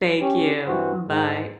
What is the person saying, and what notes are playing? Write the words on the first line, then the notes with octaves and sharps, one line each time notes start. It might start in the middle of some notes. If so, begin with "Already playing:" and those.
Thank you, bye.
C#4 G4
G2 E3 C4 F#4 C5
G#2